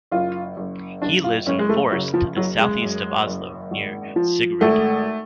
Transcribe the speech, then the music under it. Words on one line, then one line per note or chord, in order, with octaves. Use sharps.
He lives in the forests to the southeast of Oslo, near Siggerud.
F#1 F4
F#1
F#1 D4
F4
F#1 C#4
G#3
A3
C#3 F#3
F3
F#1 F#3
G#3
F#2
F#1
G#1
F3
G#1 A3